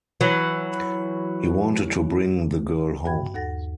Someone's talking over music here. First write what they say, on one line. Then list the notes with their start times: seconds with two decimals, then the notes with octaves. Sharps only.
He wanted to bring the girl home.
0.21 E3 F#3
3.05 G2 F#4 G5 B5 G#6
3.34 D#2 A4 F#5 A6 A#6